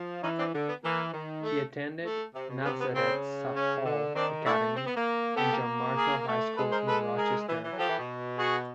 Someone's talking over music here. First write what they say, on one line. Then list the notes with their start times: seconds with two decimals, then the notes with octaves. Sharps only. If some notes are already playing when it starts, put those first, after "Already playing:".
He attended Nazareth Hall Academy and John Marshall High School in Rochester.
Already playing: F3
0.23 E3 C#4 D#4
0.39 C4 D4
0.54 D3
0.69 B3
0.84 E3 A#3
1.14 D#3
1.43 A3
2.04 A3
2.35 C3
2.49 B2
2.61 C#3
2.65 C3 B3
2.80 B3
2.95 C#3 C4
3.56 C#4
3.85 D3
4.15 D#3 C4 D4
4.46 A3 D4 E4
4.76 C4
4.87 B3
4.96 A#3
5.36 B3 G4 A4
5.52 A#3
5.96 G#4 A#4
6.27 A3
6.57 G#3 A4 B4
6.72 A#4 C5
6.88 A4 B4
7.17 G#4 A#4
7.48 E3
7.63 E3
7.71 F#3
7.78 F3 G4 A4
7.88 E3
7.98 B2
8.38 F#4 G#4